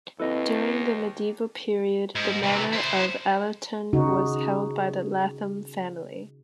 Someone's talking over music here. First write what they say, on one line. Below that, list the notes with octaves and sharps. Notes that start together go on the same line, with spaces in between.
During the medieval period the manor of Allerton was held by the Lathom family.
D#2 C4 E4 A4 B4 D#5
G#2
C3 E3
E4 C5
C#3 D#4 F#4